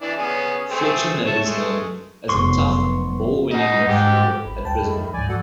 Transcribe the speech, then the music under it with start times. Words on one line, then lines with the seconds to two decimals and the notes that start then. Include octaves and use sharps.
Fletcher made his name as a tough, ball-winning midfielder at Brisbane.
0.02 E3 D4 D5
0.17 B3 C#4 G#4
0.71 A3 C4 G#4
1.27 C#5 E5 A5
1.45 G#3 A3
2.29 F1 F#2 B3 C6 C#6
3.51 D#4 D#5 F#5
3.88 G#2 G4
4.46 A1 B5
4.65 D2 G5 A5
4.80 F2 A2 D#3
5.14 D2 G#2 F3 D5 G#5
5.29 G#2 F#4 A4 F#5